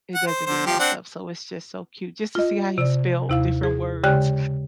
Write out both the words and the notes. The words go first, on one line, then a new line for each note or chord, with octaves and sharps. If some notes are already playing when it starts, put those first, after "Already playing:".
it doesn't get messed up, so it's just so cute just to see how he spelled different words,
F#5
C5
D3 C5
F3 G4
C4 D4 F#5
F4 D#5
C3 D5
D#2 C3 E4 F5 E6
G#4
C#3 G#3 G4 D5 G5 F#6